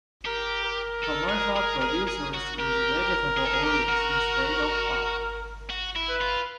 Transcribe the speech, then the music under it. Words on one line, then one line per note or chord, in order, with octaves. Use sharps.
Commercial producers use vegetable oils instead of butter.
G4 A#4
A#4
A4
G#4
G#4
G#4
G#4
F#4
G4 A#4
G#4
A4
G#4
G4
F#4
F#4
E4
B4
F4